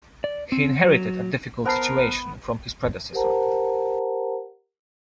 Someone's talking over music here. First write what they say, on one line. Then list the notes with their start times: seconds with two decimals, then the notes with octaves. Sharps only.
He inherited a difficult situation from his predecessor.
0.24 D5
0.52 C4
0.83 F#3
1.65 B3 A#4 C5 A5 C7
3.13 G4 A#4 C5 F#5 A5 A#5